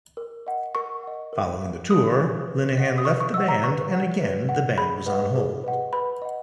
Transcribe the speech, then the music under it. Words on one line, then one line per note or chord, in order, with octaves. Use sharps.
Following the tour, Linehan left the band and again the band was on hold.
A#4
D#5 F#5
A#4 C#6
D#5 F#5
A#4
E5
A#4 D#6
E5
B4
D#5 F#5
D#6
B4 C#6
C#6
D#5 F#5 E6
A#5
B4 C#6
F#5
B4
F#5
G#4 B5
B4 D#5 F#5
G#4
B4 D#5 F#5
B4 B5
D#5 F#5